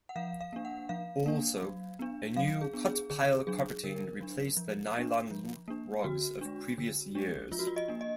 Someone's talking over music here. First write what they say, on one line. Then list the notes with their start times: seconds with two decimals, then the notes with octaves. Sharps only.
Also, a new cut-pile carpeting replaced the nylon loop rugs of previous years.
0.09 F#5
0.16 F3 F5
0.41 F5
0.53 A#3 D4
0.65 F#5
0.89 F3 F5
1.26 A#3 D4
1.63 F#3
1.99 B3 D4
2.36 F#3 F5
2.61 G#4
2.73 B3 D4
2.86 G#4
3.10 D3 G#4
3.47 F#3 D4 G#4
3.84 D3 A#4
4.21 F#3 D4
4.57 F3
4.94 A#3 D4
5.31 F3
5.68 A#3 D4
6.04 D3 F#4
6.41 G#3 D4
6.78 D3
7.15 G#3 D4
7.52 F3 F4
7.59 F#4
7.67 F4
7.76 D#5
7.88 A#3 D4
8.01 D#5